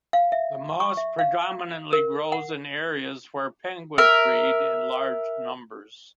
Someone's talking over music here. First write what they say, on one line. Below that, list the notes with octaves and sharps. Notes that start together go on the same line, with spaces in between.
The moss predominantly grows in areas where penguins breed in large numbers.
F5
E5
C#6
E5
F5
A#4
F#5
A#4 E5